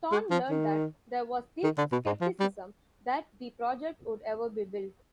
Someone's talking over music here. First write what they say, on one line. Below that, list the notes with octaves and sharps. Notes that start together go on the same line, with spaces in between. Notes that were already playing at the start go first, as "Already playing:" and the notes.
Thorne learned that there was deep skepticism that the project would ever be built.
G#3
F3
D#3
D#3
D3
B2
G#2
F3
G3